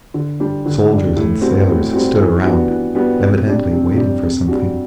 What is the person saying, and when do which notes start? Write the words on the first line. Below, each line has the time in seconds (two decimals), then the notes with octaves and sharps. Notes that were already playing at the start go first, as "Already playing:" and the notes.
Soldiers and sailors stood around, evidently waiting for something.
0.14 D3
0.40 G3 D4
0.66 D3
0.90 G3 D4
1.16 A2
1.41 G3 C4 F#4
1.67 A2
1.93 G3 C4 F#4
2.19 E3
2.44 G3 B3 D4 F#4
2.69 E3
2.95 G3 B3 D4 F#4
3.21 C3
3.47 G3 D4
3.72 C3
3.97 G3 D4
4.23 C3
4.48 G3 D4 F#4